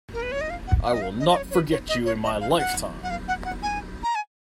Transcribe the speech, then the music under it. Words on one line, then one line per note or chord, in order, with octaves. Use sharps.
I will not forget you in my lifetime!
A#4
B4
C#5
D#5
F5
F#5
F#5
D#5
F5
D#5
D#5
C#5
C#5
B4
C#5
D#5
C#5
D#5
F5
F#5
F#5
F5
F#5
F#5
G#5
A#5
G#5